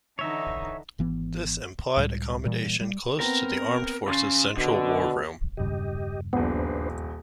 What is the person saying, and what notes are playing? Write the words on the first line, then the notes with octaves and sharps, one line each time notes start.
This implied accommodation close to the armed forces' Central War Room.
D3 E3 D#4 C#5 E5
G#1 E3 B3
C#2 A2 G3
A#2 E3 G3
G3
B3 C4 A#4
C#3 C6 A6 C7
B2 D3
E1 G2 C#3 G4 D#5
D#1 A#1 B3 D4 B4 C5